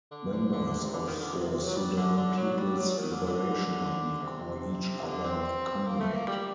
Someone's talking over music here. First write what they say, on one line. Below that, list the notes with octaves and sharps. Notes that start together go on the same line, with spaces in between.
Members of the Sudan People's Liberation Army call each other 'Comrade'.
D3
D3
D3
D3
C3
D3
D#3
D3
C3
C3
F#3
G3
D3
D3
F#3
G3
F#3
D#3
D3
D3
C3
D3
C4
A#3
A3
A#3
G3